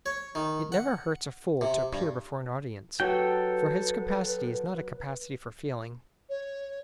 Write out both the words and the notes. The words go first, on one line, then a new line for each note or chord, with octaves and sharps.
It never hurts a fool to appear before an audience, for his capacity is not a capacity for feeling.
C#5
D#3
F#5
C3
G2
F#3 F#4 G4 A4 B4 G5
C#5